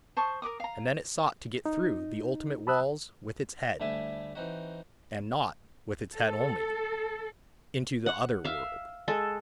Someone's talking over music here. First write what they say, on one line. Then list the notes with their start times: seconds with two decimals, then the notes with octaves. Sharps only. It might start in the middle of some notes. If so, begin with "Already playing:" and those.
And then it sought to get through the ultimate walls with its head--and not with its head only--into "the other world."
0.17 C5 A5 C#6 D#6
0.42 A#4 B4 D6 D#6
0.60 F5 A#5
1.66 D#4
2.67 A5 B5 D#6 E6 F#6
3.80 D2 G3 A3 E4 E5 G#5
4.35 E3 C4 D#4 F#4
6.14 A4
8.06 F#5
8.45 E5 F5
9.08 G#3 A4